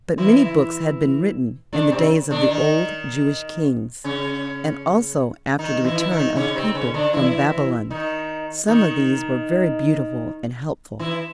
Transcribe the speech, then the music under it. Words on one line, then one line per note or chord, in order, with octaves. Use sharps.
But many books had been written in the days of the old Jewish kings, and also after the return of the people from Babylon: some of these were very beautiful and helpful.
E3 E4
D3 D4
C3 C4
D3 D4
D#3 D#4
C#3 C#4
D#3 D#4
E3 E4
E4
D#3 D#4
C#3 C#4
C3 C4
C#3 C#4
D3 D4
E3 E4
D#3 D#4
D#3 D#4
E3 E4